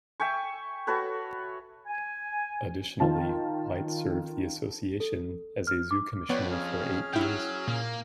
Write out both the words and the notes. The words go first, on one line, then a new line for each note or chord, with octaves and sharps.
Additionally, White served the association as a Zoo Commissioner for eight years.
E5 G5 G#5 C#6
F#4 A4 B4 C#5
G#5
D#3 F4 A5
A4
F6
D6
F2 B3 B4 C#5 D5 G5
C#4 G#4 F6
F#3 E4 G5
A#2 A#3